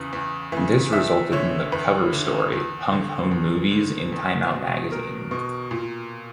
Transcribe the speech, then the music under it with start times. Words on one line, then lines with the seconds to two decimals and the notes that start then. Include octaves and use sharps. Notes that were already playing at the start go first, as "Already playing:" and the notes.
This resulted in the cover story, "Punk Home Movies" in "Time Out" magazine.
Already playing: E2 C#3 E3
0.13 E2
0.52 C#3 E3
0.92 E2 E5
1.32 D3 C#5
1.72 E2 B4
2.13 D3
2.52 E2
2.92 D3
3.31 E2
3.71 D3
4.12 E2
4.52 B2
4.92 E2 A#4
5.31 B2
5.71 A#2